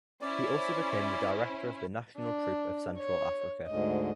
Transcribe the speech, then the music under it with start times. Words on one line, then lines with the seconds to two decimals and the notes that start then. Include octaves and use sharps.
He also became the director of the National Troupe of Central Africa.
0.21 C#4 E4 C5 D5
2.18 D4
2.98 C#5
3.67 D2 G#2 D#5